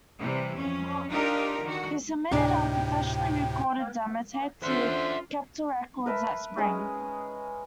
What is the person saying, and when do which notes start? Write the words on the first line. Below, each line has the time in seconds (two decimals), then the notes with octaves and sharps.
He submitted a professionally recorded demo tape to Capitol Records that spring.
0.20 C3 E3 G3
0.55 F2 C#4
1.11 D4 D#4 F4 G4 A#4
1.63 D3 D#3 F#4
2.31 D2 A2 C3 D4 D#4 G5
4.63 D3 C#4 F4 C5 E5 F#5 C6
6.06 A#4 B4 E5 A5
6.57 G#3 C#4 D#4 G#4